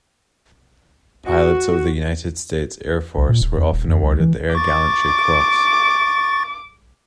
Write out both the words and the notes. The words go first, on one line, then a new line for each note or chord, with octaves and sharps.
Pilots of the United States Air Force were often awarded the Air Gallantry Cross.
F#4
C2
A#2
D1
E2
D#1
F2
C#2
E3
C#6 D6 A6